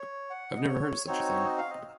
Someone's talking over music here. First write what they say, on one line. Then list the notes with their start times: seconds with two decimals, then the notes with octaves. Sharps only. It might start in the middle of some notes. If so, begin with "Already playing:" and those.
I've never heard of such a thing.
Already playing: C#5
0.30 F#5
0.57 D#5
0.68 C#5
1.07 C4 D#4 F#4 C#5
1.45 D#5
1.58 F5
1.70 D#5